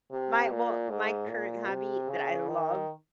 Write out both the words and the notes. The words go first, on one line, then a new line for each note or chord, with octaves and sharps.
My well, my current hobby that I love
C3
A#2
G#2
A#2
C3
C#3
D#3